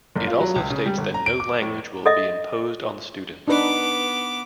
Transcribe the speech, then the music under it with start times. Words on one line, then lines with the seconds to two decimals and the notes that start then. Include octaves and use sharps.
It also states that no language will be imposed on the students.
0.16 F#1
0.27 F4
0.40 F#3
0.56 C#2
0.70 C#3
0.86 G3
0.98 G1
1.14 A#5
1.26 D7
1.40 D6
1.62 A2
2.06 A4 D#5 E5
3.48 B3 D4 D#4 B4 D6